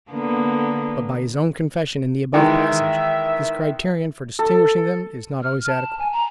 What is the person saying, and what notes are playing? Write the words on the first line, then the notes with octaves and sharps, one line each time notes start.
But by his own confession in the above passage, his criterion for distinguishing them is not always adequate.
D3 A#3 B3
D#3 E3 G#3 E5
A4
F6
A5
G#5
A#5